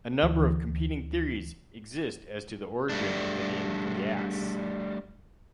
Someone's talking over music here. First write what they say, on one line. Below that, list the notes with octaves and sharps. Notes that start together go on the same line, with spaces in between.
A number of competing theories exist as to the origin of the name "Yass".
D2 E3
G3 A3 D4